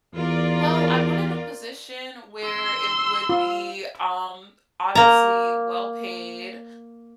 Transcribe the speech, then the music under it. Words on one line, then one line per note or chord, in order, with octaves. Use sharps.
Well, I wanted a position where it would be, um, obviously well-paid,
E2 F4 A#4 D5
C6 E6
F4
A#3 A#5